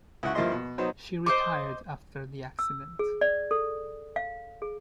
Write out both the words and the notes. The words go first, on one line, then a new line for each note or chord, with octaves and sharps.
She retired after the accident.
C#2 E4 F#5 C#6
G2 F3 A#3 E4 D#5 C6
B2
F#3 B3 D#4 C5
C5 D#5 D6
E6
G#4
D5
A4
F5
G#4